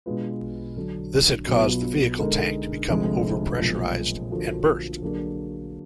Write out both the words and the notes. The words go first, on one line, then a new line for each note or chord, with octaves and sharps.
This had caused the vehicle tank to become over-pressurized and burst.
B2 G#3 D4 F4 B4
D3 F#3 D4
B2 F#3 B3 F4 B4
D3 G#3 D#4 A#4
F1 F2 D3 G#3
B1 A#2 F3 G#3
D3 F3 A#3 D4 F#4
D3 F#3 A#3 D4 G#4